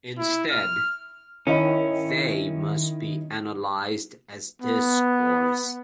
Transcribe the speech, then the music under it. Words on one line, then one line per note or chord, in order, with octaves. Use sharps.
Instead they must be analyzed as discourse.
E4
F6
D#3 C#4 E4 D#5 B5
B3